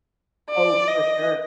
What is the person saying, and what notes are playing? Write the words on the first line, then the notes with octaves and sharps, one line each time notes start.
Oh, for sure.
D5
D#5